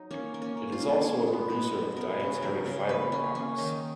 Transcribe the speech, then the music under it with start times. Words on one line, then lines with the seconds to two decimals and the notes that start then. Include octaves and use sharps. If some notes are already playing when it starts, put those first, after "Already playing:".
It is also a producer of dietary fibre products.
Already playing: F#3 D#4
0.11 A#3 C#4
0.34 A#3
0.42 C#4
0.57 A#3
0.72 F4
0.80 A#3
1.03 G#3 G#4
1.27 B3
1.50 B2
1.73 B3
1.96 B3 A#4
2.20 C#3
2.42 F#3 A#4
2.66 C#3
2.89 A#3 B4
3.12 A#3 C#4
3.35 A#3 C#4
3.58 D#3 D#4